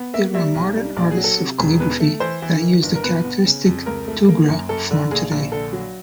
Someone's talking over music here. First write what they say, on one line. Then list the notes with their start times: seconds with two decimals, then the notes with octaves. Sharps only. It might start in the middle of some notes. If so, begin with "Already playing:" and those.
There are modern artists of calligraphy that use the characteristic tughra form today.
Already playing: B3
0.14 A#3 E5
0.34 G3 E5
0.55 B1
0.76 G3
0.96 A#1 D5
1.11 G#4
1.17 F#3
1.24 A4
1.38 C3
1.59 E1
1.80 B2 B4
2.00 A3
2.20 E3 C5
2.42 E3
2.62 D#3
2.82 G1
2.95 A#4
3.03 B2 B4
3.25 B3
3.46 C#3
3.66 F2
3.86 C#2 A#4
4.08 A3
4.29 A#3
4.48 F#2
4.69 F#2 A4
4.91 D3
5.11 A#1 G#4
5.32 A#1
5.52 D3 A4
5.73 F#3